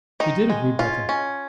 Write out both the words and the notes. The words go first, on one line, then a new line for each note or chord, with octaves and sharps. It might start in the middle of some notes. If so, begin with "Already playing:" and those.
"He did," agreed Breton.
D#3 D#4
G#3
C#4 F4
C#4